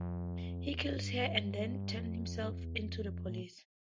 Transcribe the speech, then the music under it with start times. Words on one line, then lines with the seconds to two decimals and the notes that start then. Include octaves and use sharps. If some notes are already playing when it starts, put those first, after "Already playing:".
He kills her and then turns himself in to the police.
Already playing: F2
0.67 E2
0.81 F2
0.96 G2
1.98 F2
2.42 G2
2.52 F2
2.63 E2
2.75 F2
3.29 A2